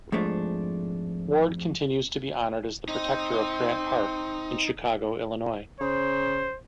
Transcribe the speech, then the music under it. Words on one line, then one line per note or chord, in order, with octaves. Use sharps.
Ward continues to be honored as the protector of Grant Park in Chicago, Illinois.
F2 G#2 G#3 A3 D4
C4 D#4
C#3 C5